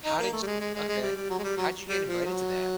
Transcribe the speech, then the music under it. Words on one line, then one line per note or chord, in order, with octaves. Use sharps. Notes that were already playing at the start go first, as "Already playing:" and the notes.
How did you okay. How'd you get invited to that?
D#4
A#3
A3
G3
G#3
G#3
G#3
G#3
G3
G3
F#3
G#3
G3
F#3
G3
F3
F#3